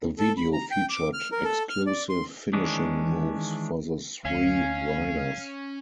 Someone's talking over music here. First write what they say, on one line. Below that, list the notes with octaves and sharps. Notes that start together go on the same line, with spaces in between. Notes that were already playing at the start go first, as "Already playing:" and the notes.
The video featured exclusive finishing moves for the three Riders.
A4
B5
A#5
G5
D6
F6
A#4
A4
F6
D5
C6
D#3 E3 G#3 C#4 D4
D2 C#4 F5 G#5